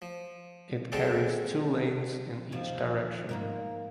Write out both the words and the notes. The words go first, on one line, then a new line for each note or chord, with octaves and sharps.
It carries two lanes in each direction.
F3
D3 D#3 G#3 C4 A4 D5
D#2 F3
G#2 A#3 A#4